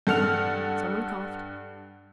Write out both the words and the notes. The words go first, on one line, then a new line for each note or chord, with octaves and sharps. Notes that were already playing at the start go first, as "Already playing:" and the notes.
Some one coughed.
G2 A4 F#5 F6 F7